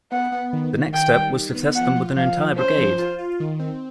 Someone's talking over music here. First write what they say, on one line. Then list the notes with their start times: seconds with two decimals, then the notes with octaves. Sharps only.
The next step was to test them with an entire brigade.
0.12 B3 F#5
0.32 B3
0.53 D#3
0.73 D#3
0.94 D#3 G5
1.14 G3
1.34 D#3
1.55 B3
1.76 F3 F#5
1.96 F4
2.16 F3 F5
2.37 F3
2.57 C#4 C5
2.78 F3
2.98 F4
3.18 F4
3.40 D#3
3.59 C4